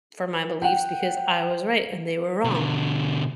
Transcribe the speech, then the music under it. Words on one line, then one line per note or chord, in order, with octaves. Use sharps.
for my beliefs because I was right and they were wrong.
F#5 G5
B2 D3